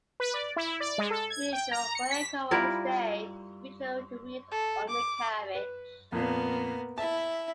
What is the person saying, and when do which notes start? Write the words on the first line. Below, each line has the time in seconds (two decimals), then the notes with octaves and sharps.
Unusual for aircraft of its day, it featured a wheeled undercarriage.
0.20 B4
0.34 D5
0.56 E4
0.80 D5
0.98 G#3
1.10 A4
1.30 G#6
1.53 G5
1.71 A#5
1.95 C#7
2.11 B6
2.51 G3 E4 F4 A#4
4.51 A4
4.90 D6
5.55 B4
6.12 F2 A#2 A#3 B3
6.98 E4 E5 A5